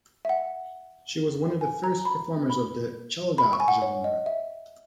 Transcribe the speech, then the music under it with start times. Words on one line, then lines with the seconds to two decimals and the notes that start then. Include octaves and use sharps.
She was one of the first performers of the Chalga genre.
0.25 E5
0.29 F#5
1.61 G#5
1.84 A#5
2.05 B5
2.50 B5
3.38 B5
3.53 C#6
3.60 G#5
3.68 F#5
3.82 C#5
4.04 D#5
4.26 E5